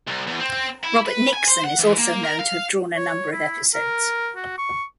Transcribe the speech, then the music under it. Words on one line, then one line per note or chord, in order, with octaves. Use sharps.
Robert Nixon is also known to have drawn a number of episodes.
C2
E2
C4
E4
B4
G#5
C5
F#5
E3
A#3
A#4
F5
C#5
E4
A#4
F#4
C#6